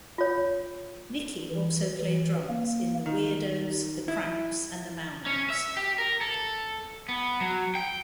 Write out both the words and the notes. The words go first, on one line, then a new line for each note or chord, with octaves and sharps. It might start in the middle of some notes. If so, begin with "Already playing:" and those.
Nickey also played drums in The Weirdos, The Cramps and The Mau-Mau's.
F4 C#5
E3
E3
A#3
D#3
E4
C#4
E5
G4
A#4
A4
B3
F#3
G5